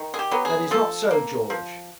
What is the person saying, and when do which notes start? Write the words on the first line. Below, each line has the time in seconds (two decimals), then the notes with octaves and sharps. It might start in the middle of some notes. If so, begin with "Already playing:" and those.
'That is not so, George.'
Already playing: D#3
0.14 G#4
0.19 G4
0.32 F#3 B3
0.45 G#4
0.71 F3 A4
1.11 A#3
1.50 F3